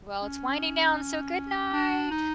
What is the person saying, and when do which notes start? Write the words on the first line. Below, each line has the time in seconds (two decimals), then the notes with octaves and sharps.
well, it's winding down, so good night.
0.22 C#4
1.73 D4
2.11 D#4